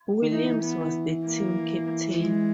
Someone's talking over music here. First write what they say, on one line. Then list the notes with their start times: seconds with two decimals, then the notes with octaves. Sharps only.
Williams was the team captain.
0.22 D#3
0.32 E3 D#4
0.63 B3
1.25 A#3
2.19 G#3